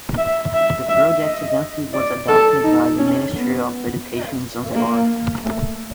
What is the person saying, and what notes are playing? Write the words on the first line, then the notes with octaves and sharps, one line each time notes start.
The project eventually was adopted by the Ministry of Education in Zanzibar.
E5
E5
E5
D#5
D5
A4
D#4
C#4
B3
A#3
A3